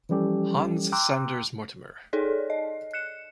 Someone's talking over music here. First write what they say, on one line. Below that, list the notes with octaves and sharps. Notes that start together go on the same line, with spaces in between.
Hans Sanders Mortimer.
E3 F3 G3 C#4 G4 A4
G5 A#5 C6 D6 E6 F#6
D#4 G#4 A4 C#5 D5
D#5
F#6 C#7 E7